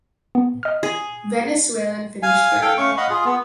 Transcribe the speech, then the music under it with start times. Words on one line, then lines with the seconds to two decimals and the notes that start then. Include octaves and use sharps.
Venezuelan finished third.
0.35 B3
0.63 D#5 F6
0.83 G#4
2.23 F5 G#5
2.62 A4 F5 G5
2.78 A3 C#4 F5 C#6
2.97 D#5 F5 F#5 B5
3.10 F4 G#4
3.25 B3